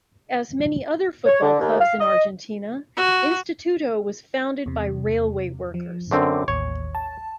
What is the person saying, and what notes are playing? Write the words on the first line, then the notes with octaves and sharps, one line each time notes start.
As many other football clubs in Argentina, Instituto was founded by railway workers.
C#5
D3
D#2
F5
D#5
F#4
E2 C3
F3
F#2 D3 C4 D6
A1 D#2 C#5
A5